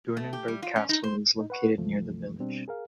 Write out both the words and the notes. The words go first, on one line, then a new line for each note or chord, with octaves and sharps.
Doornenburg Castle is located near the village.
A3
G4
G3
F4
C#4
D#4
C5
A2 D#4
B4 F#5 C#6
D2 G2 C3 E3 F3 A3
B2 G3 C4 D4
G#4 A#4 F5